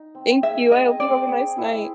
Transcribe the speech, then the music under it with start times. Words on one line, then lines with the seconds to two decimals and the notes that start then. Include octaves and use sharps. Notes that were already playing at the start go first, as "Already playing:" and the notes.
Thank you, I hope you have a nice night.
Already playing: D#4
0.15 C4
0.43 G#4 E5
0.71 C4 D#5
1.00 C4 D5
1.28 G#4
1.58 E4